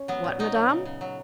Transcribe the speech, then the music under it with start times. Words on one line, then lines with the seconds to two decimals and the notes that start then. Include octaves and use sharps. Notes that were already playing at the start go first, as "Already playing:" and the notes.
"What, madame?"
Already playing: C#4
0.08 F#3 B3
0.24 A#2
0.39 F#3 D#4
0.55 F#3
0.70 C#3
0.85 C#3
1.01 F#3